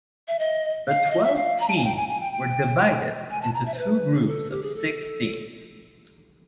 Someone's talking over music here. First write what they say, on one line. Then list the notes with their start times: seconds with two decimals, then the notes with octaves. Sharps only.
The twelve teams were divided into two groups of six teams.
0.28 E5
0.39 D#5
0.87 F5
1.11 D#5
1.23 E5
1.36 F5
1.60 A#5
1.68 A5
1.77 G#5
1.84 G5
1.97 G#5
2.08 G#5
2.21 G5
2.32 G5
3.30 G#5
3.42 A5
3.54 A#5
3.66 E5
3.74 C5
3.78 B4
4.21 G#4
4.27 A4
4.51 G4
4.62 G#4
4.75 A4